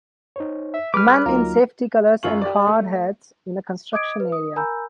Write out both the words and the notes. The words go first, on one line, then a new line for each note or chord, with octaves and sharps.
Men in safety colors and hard hats in a construction area.
D#4 C5 C#5
E5
G3 G#4 B4 D6 F6
D2 F#3 A#3 D#4 F4 A#4
F#2 F4 F5 C#6 F#7
G4 D5
A3
D#5 D6 D#6 G#6 D7
B4
D#6
A#4 G#5 A#5 B5 E6 G6